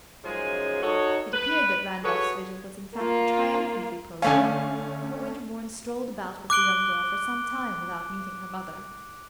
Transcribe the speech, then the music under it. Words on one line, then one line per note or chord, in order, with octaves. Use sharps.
It appeared that Randolph's vigil was in fact triumphantly prolonged, for Winterbourne strolled about with the young girl for some time without meeting her mother.
F#2 C#3 F3 G#3 D#4 G#5
D#4 F#4 A4 C#5
B4
F#4 G#4 A4 B4 C#5
A#3 F4
D3 A3 C#4 F5 G#5
D6 F#6 D7 G7